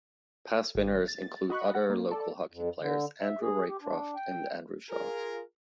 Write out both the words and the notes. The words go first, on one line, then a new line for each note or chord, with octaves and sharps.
Past winners include other local hockey players Andrew Raycroft and Andrew Shaw.
G#1
A6
F#4 D#5 B5 C#6 F#6
F#5
A#3
A4 D5
F2
D3
E5
G#4
G4
D4
G5
F4 G#4 A#4